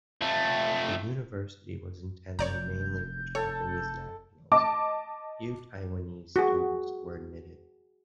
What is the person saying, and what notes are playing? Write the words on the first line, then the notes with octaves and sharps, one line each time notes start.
The University was intended mainly for Japanese nationals; few Taiwanese students were admitted.
F2 A3
F1 C#5 D5 A#5 G6
A4 C#5
D#5 A5 D6
F#4 G#4